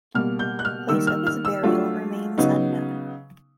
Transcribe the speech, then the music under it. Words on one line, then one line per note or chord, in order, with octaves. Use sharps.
Place of his burial remains unknown.
B2 G3 A#3 F6
G6
F#6
F6
D#3 G3 A#3 E6
F6
F6
E6
F#3 A3 D4 F4
C#3 F#3 B3 D#4